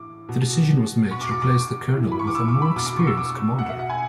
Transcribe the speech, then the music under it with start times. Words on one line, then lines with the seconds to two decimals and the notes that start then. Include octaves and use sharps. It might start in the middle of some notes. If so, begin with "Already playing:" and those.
The decision was made to replace the colonel with a more experienced commander.
Already playing: A2 E3 D6
0.29 B2
1.11 B2 C#6
1.21 D6
1.32 D6
1.42 D6
1.94 A2 E3
2.12 B5
2.19 C#6
2.27 D6
2.35 E6
2.48 D6
2.62 B5
2.76 B2 D6
2.87 D6
2.97 C#6
3.07 E6
3.17 D6
3.58 B2 F#5
3.69 E5
3.79 F#5
3.90 G#5